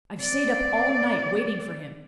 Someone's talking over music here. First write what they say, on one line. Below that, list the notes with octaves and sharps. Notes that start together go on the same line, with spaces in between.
I've sate up all night waiting for him.
C4 D5